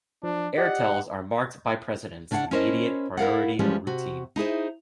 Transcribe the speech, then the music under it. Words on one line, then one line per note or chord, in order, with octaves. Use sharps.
Airtels are marked by precedence: immediate, priority, or routine.
F3 D4
G4 D5 D#5 F#5
C#3 D4 C#5 F5 F#5
C#4 E4 A#4 C5 C#5 D#5
E4 A#4 F5 F#5
E3 F3 G3 G#3 C#4
C3 F#4
D#4 E4 G#4 C5